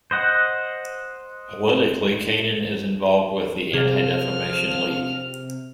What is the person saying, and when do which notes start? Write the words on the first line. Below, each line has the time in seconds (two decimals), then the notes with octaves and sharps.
Politically Kanan is involved with the Anti-Defamation League.
0.11 C5 D#5 F#5
3.74 C3 F3 G#4 F6